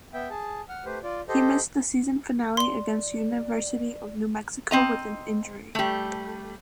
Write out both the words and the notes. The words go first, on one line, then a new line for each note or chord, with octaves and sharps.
He missed the season finale against University of New Mexico with an injury.
B3 E5 G5
G#4 A5
F#5 F6
A3 G4 B4 C5
F4 D5
G4 A4 C5 D#5
D5 C6 G7
C4 D#5 A#5
G3 A3